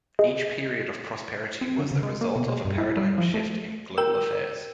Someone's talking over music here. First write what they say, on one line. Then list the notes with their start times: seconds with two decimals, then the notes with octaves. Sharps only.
Each period of prosperity was the result of a paradigm shift in global affairs.
0.19 G#4 D#5
1.61 C4
1.79 D3
1.92 C#3
2.03 G#3
2.21 A#3
2.36 B2
2.48 G#3
2.65 G2
2.78 E4
2.97 G3
3.18 F3
3.34 A3
3.98 A#4 G5 E6